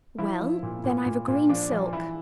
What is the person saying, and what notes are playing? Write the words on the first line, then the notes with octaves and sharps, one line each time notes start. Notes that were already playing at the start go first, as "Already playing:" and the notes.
'Well! then I've a green silk.
F3 E4
F3
A#2
A#2
A#2
A#2
F3 D4
F3
E3 E4